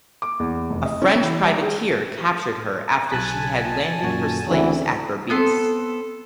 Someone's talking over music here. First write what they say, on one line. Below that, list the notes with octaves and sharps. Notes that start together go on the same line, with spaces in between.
A French privateer captured her after she had landed her slaves at Berbice.
D6
E2
F1
D#5
C#4
E3
G3
G#4
B1 G#5 A5 F#6 B6
F#2 A#2 F#4
D2 C#3 E3 C4
B3 C4 A4 C6